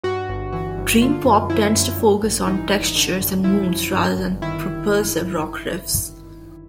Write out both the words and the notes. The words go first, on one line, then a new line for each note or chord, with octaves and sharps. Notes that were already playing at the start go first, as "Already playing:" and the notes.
Dream pop tends to focus on textures and moods rather than propulsive rock riffs.
G2 F#4
G1
E3 F#4
G1
D3 F4
F#2
F3 E4
F#2
G2
A1
E3 D#4
A1
D3
F#2
F3 E4
F#2
G2
G1
D#3 E4